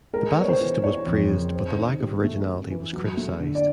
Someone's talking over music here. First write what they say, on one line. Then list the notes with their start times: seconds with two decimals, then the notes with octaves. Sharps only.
The battle system was praised, but the lack of originality was criticized.
0.13 G#3 A#4
0.38 B3 C#5
0.49 C5
0.61 E3
0.83 E3 C#5
1.07 F2
1.31 C#3
1.54 C4
1.77 D#3
2.00 G3
2.24 A3
2.48 C#4
2.71 E3
2.93 F#3
3.17 A3
3.40 D3
3.55 D5